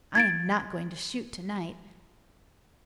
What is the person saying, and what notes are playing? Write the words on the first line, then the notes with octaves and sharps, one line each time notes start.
I am not going to shoot to-night.
G#6 A6 D7